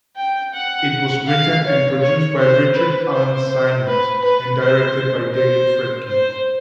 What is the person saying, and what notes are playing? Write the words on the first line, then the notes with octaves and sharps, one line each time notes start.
It was written and produced by Richard Alan Simmons and directed by David Friedkin.
G5
F#5
F5
C#5
C#5
C5
B4
C5
C5
B4
B4
C5
C5
C5